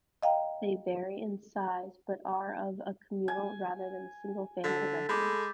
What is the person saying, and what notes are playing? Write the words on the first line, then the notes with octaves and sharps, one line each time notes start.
They vary in size but are of a communal rather than single-family residence.
D#5 F5 G5 A#5
G#5
D3 A4 E6 A6 B6
G#3 B5 D6 G6